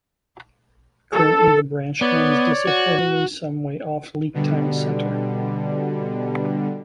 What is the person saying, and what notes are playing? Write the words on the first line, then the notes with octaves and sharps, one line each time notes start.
Currently the branch ends disappointingly some way off Leek town centre.
A4
B3 C#5 D5
F#4
B2 D3 G3